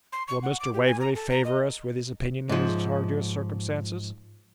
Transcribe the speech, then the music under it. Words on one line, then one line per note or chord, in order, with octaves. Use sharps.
Will Mr. Waverley favour us with his opinion in these arduous circumstances?'
C6
C#6
F#5
D6
G4
G#5
A#5
A4
A#5
D#5
G#2 F3